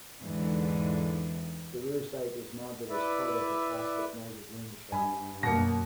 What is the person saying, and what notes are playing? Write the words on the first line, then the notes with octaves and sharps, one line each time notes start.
The rear sight is mounted as part of the plastic magazine shell.
E2 G#2 D3 E3
E4 B4 D5 E5
G2 G#5 B5
F#2 B2 A#3 A#6 C#7